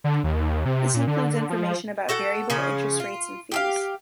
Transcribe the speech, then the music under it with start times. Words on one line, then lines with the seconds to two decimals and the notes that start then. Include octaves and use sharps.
This includes information about variable interest rates and fees.
0.04 D3
0.24 D#2
0.65 C3
0.94 A#2
1.07 D3
1.50 F3
2.09 F#4 A4 F#5 G5
2.50 C#3 F3 C#4
3.00 F4
3.52 G4 G#4 F5